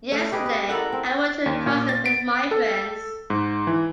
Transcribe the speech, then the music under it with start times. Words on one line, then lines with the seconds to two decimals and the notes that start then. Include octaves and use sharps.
Yesterday I went to a concert with my friends.
0.12 A3 C#4
0.32 G4 G#4 B4 D#5
0.46 B4
0.69 E4 A4 A#4 F#5
0.92 C4
1.46 D#2
1.66 A#2
1.89 A6
2.06 D7
2.51 A4
3.30 G#2
3.67 E3